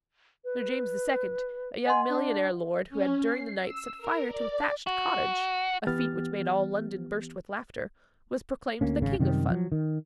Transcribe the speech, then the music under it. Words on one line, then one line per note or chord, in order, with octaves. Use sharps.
Under James II. a young millionaire lord who had during the night set fire to a thatched cottage--a feat which made all London burst with laughter--was proclaimed the King of Fun.
B4
D#5 F#5 G#5 C6
D4
C#4
C7
E6
A#4
D5
F#4
E3 B3 G4 F6 A6
D2 A#3 C#4
G#1 C#3
F#2 C3 D#3 G3
F3 F#3
D#3